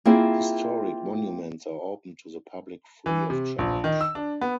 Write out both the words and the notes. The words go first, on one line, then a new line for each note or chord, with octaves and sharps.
Historic monuments are open to the public free of charge.
A#3 C4 E4 F4 G#4 C5
E3
C3
A#1
D#3
E6
D4
B3